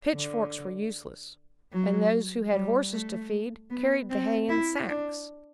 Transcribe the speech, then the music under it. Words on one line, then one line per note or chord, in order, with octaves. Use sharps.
Pitchforks were useless, and those who had horses to feed carried the hay in sacks.
D3
F#3
G3
A3
B3
C4
E4
D4